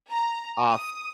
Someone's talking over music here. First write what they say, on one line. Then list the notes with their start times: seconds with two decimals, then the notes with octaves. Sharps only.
uh, f f
0.10 A#5
0.68 D#6